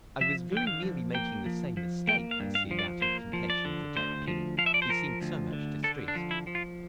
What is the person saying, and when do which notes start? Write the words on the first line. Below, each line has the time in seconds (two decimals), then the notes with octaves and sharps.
"I was very nearly making the same mistake," I said, out of compassion for Jack Penny--he seemed so much distressed.
0.21 F3 E5
0.52 D3 G5
0.67 F5
0.83 F3
1.14 A#3 G5
1.46 F3
1.77 F3
2.07 A#3 G5
2.31 F5
2.40 G2
2.55 F5
2.71 F3
2.79 D5
3.01 A#3 C5
3.33 F3
3.50 D5
3.65 D3
3.96 D2 C5
4.28 F3
4.58 F3 F5
4.66 E5
4.74 D5
4.82 C5
4.89 F3 A#4
5.21 D2
5.53 D3
5.84 D3 A4
6.08 D4
6.15 F3
6.31 E4
6.47 F3
6.55 F4